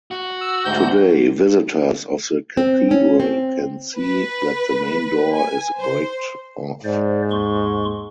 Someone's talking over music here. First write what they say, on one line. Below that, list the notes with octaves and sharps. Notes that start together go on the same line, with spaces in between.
Today, visitors of the cathedral can see that the main door is bricked off.
F#4
E6
D2 G#2 G6
C4
C#4
C4
B4
G#5
C5
G#2 C5 D5
D#2 C6 C#6